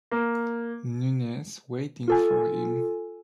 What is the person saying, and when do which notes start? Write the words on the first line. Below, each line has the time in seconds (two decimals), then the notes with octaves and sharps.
Nunez waiting for him.
0.11 A#3
2.08 F4 A4 G#5